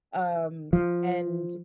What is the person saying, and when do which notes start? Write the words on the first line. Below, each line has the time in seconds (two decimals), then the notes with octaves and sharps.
um, and
0.73 F3